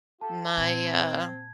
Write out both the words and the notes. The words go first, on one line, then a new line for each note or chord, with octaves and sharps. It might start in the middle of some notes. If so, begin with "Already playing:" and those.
my, uh
F4 G4 A4 A5
A#2 C4 G#6